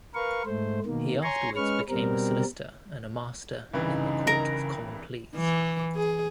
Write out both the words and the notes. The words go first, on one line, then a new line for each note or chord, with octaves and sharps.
He afterwards became a solicitor and a master in the Court of Common Pleas.
A#4 B4 F5 C#6
G#2 A3 C5
B2 D#3 A#3
C#5 G#5 A#5 C6 C#6
G#3 C#4 B4 C#6 F6
B2 G3 C4 A#4
C2 G2 C#3 E3 D#4
A#4 A#5
E3
G#4